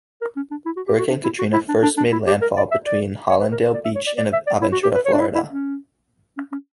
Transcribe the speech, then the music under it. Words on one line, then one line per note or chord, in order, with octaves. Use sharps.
Hurricane Katrina first made landfall between Hallandale Beach and Aventura, Florida.
A#4
C#4
D4
E4
F#4
G4
F#4
D4
E4
F#4
E4
D4
D4
D4
E4
G4
A#4
D5
E5
D5
C#5
B4
A#4
B4
D5
E5
C#5
D5
D5
E5
D5
E4
F#4
G4
B4
C#5
D4
E4
E4
C#4
C#4
C#4